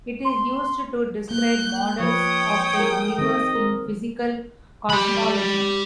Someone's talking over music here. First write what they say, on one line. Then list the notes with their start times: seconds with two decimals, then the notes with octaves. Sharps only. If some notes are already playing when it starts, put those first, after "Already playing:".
It is used to describe models of the universe in physical cosmology.
0.25 C6
1.31 A#3 F#6 G6
2.00 F3 B4 C#5 G5 D#6
2.79 G#4 A#4
3.19 D#3 C4 D#5
3.55 A#4
4.90 G4 B5